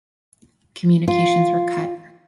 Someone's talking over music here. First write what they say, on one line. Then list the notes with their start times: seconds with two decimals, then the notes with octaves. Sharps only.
Communications were cut.
1.08 F4